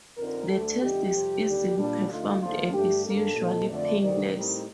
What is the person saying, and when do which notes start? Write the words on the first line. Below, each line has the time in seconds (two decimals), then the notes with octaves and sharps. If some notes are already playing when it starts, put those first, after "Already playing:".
The test is easily performed and is usually painless.
0.17 F2 D3 F3 C4 D#4 A#4
0.50 D2 D3 A3 A4
0.82 F2 D3 A3 D#4 G4
1.13 F2 C3 G3 C4
1.45 D#2 D3 G3 D4
1.77 A#2 G3 D4
2.09 D2 D3 A3 D#4 F4
2.41 D#2 D3 F3 A3 F4
2.73 G2 D3 A3 D4 G4
3.05 G2 D#3 G3 A#3 D4 A4
3.37 A#2 F3 C4 D#4
3.68 F2 D3 A3 D5
4.01 D2 C3 D#3 D5
4.33 A2 G3 C4 D#4 A#4